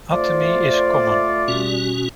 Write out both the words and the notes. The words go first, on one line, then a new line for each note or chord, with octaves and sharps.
Atemi is common.
A3 F4 C5 D5
B2 G3 C#4 F#4